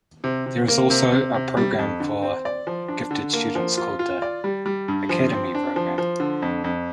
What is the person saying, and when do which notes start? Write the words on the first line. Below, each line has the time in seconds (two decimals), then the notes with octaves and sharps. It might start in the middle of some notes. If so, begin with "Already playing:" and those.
There is also a program for gifted students called the "Academy Program".
0.24 C3
0.46 C3
0.68 A#3
0.90 C3
1.12 C3
1.34 C3
1.57 G3
1.79 F2
2.00 D3
2.22 C4
2.45 D5
2.67 F3
2.88 D4
3.11 D3
3.33 A#3
3.55 F3
3.77 F4
3.99 F4
4.22 D5
4.44 G3
4.66 G3
4.88 G2
5.09 F3
5.32 C4
5.55 D4
5.76 F3
5.98 F3
6.20 D3
6.42 F2
6.64 F2